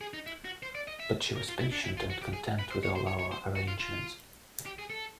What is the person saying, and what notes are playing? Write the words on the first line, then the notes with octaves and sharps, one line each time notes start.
But she was patient and content with all our arrangements.
G#4
D#4
E4
F#4
C5
D5
D#5
E5
A#4
F4
E4
D4
E4
F4
F#4
G4
G#4
B4
C5
C#5
C5
C#5
C#5
C5
F#4
F4
F4
G4
G#4
A4